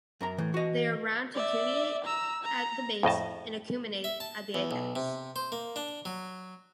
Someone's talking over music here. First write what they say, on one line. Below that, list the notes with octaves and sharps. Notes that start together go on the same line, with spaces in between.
They are round to cuneate at the base and acuminate at the apex.
F#2 A#4 A#5
A2 E3
F#4 D#5
D5 E5
A#5 E6
A#5
F2 A2 D#5 A5
E5
A5
E2
B1
C3
C5
A#3
D4
F#3